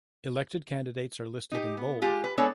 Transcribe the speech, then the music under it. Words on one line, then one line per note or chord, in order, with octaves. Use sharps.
Elected candidates are listed in bold.
D#4 G4
B3
G#3 F4 G4
B4
G#3 B3 D4 A4 C#5